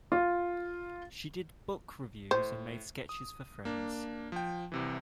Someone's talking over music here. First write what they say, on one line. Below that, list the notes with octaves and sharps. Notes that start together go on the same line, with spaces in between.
She did book reviews and made sketches for friends.
F4
A2 C5
D#6
A#3 D4
F3 G5
C2 C3 E3